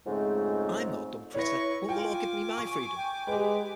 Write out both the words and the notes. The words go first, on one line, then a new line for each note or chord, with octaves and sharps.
I'm not a dumb critter; won't the law give me my freedom?
F2 G#2 C#3 G#3 A3 C4
E4 B4 C#5 C#6 A#6
F4 G5 G#5 D6
C#6
G5
G#3 G4 B4